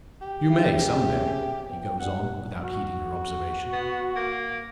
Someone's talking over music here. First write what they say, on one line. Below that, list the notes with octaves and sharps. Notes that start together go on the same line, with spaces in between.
"You may some day," he goes on, without heeding her observation.
G4
C#4 G#4 E5
F3 B3 G5
G2 F#5
F#4
B3
A#3